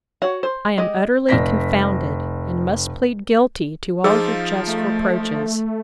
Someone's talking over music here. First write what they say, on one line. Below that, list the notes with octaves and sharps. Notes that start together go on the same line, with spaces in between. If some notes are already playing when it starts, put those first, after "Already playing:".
'I am utterly confounded, and must plead guilty to all your just reproaches.
F#4 C#5 F#5
C5
G#3 G4 D#5
F1 D5 A#6 B6
F3 D#4 F4 G#4 E6
A3